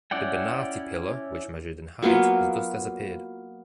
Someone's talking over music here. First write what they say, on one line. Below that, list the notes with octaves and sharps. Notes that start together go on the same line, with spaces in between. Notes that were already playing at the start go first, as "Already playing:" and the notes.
The Bonatti pillar, which measured in height, has thus disappeared.
C#4 E4 D5 F#5 G5
F#3 A#3 B3 F4